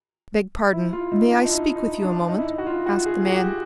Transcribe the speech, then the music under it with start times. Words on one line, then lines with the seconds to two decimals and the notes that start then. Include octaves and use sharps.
"Beg pardon; may I speak with you a moment?" asked the man.
0.73 E4
0.93 F4
1.11 D#4
1.31 D4
1.44 D#4
1.51 E4
1.76 D#4
2.02 D4
2.28 D#4
2.38 E4
2.48 D#4
2.58 F#4
2.67 F4
2.86 F#4
3.06 G#4
3.27 F#4
3.31 G4